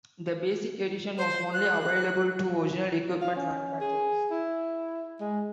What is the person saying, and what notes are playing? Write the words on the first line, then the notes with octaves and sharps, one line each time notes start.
The Basic edition was only available to original equipment manufacturers.
C5
F#6
F5
C#4
G#4
E4
G#3